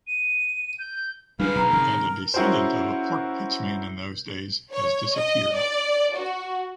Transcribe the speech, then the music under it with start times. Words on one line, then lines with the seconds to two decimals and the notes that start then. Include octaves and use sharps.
And a descendant of a pork pitchman in those days has disappeared.
0.07 D#7
0.79 G6
1.40 D#3 G3 D4 G#4 B4 F5
1.55 B2 F#3 A#5
1.70 G2 C3 A#4
2.34 C#4 E4 F#4 G#4 A#4 C5
4.71 C#5
5.14 D#5
5.53 D5
6.13 F#4